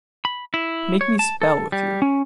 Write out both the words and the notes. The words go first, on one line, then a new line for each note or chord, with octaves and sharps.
Make me spell with you.
B5
E4
C#5
A5
A4
G3
C#4